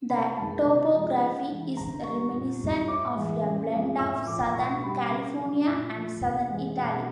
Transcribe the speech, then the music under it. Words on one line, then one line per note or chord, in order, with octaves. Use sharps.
The topography is reminiscent of a blend of Southern California and Southern Italy.
C3 B5
D#3 G#3 A5
C3
F3 G#3
C#3
E3 G#3
D3 A#5
G3 C#6
A#2
G3
A2 D6
E3 G#3
C#3
F3 G#3
A2 E6
F3 A3 D6
B2 C#6
G3 B5
C#3
F#3 A3
A#2
F3 A3
C3
E3 G#3
B2 F#5